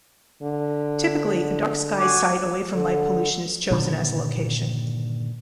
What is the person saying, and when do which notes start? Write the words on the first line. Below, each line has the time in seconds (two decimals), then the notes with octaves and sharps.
Typically a dark sky site away from light pollution is chosen as a location.
0.43 D3
1.95 F#4 G#5 D6
2.72 D3
3.71 G2 A#2 D3 D#3